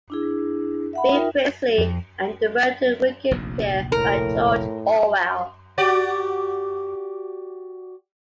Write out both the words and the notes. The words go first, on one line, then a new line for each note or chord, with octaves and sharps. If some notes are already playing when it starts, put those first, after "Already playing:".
B. Priestley and "The Road to Wigan Pier" by George Orwell.
D4 E4 G#4
E5 F#5 B5
D#4 F4 A#4 E5 G5
F2
F1 A#1 D#2
A2 A#4
F#4 G4 D5